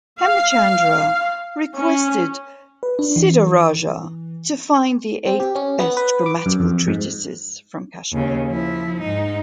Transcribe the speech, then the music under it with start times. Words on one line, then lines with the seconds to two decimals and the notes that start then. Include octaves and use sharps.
Hemachandra requested Siddharaja to find the eight best grammatical treatises from Kashmir.
0.22 F5
1.80 C#4
2.83 B4
2.99 D4
3.16 E3
5.27 C4
5.40 G4
5.55 C#4
5.79 B3
5.97 B4
6.26 D6
6.46 F#2
6.60 F2
6.87 G#2
8.13 D#2 C#3
8.47 F3 E4
9.01 G#2 D#4